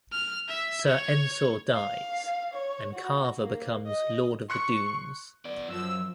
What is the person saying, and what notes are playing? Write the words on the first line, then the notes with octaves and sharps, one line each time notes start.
Sir Ensor dies, and Carver becomes lord of the Doones.
F6
E5
C#5
F5
C#5
F#4
A#3
D#5
C6 C#6 F#6 C#7
B3 D5
F#2 F3 E6